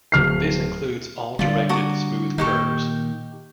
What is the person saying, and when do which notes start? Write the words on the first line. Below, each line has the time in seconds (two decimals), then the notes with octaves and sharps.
This includes all directed smooth curves.
0.12 D1 F6 C7
1.39 D3 G3 F4 D5
1.69 F#4 A#5 D6
2.38 A#2 D#3 D#4 G4 C#6